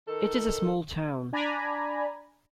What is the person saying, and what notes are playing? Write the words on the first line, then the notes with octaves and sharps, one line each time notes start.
It is a small town.
D#3 A4
D4 D5 G#5 A#5 B5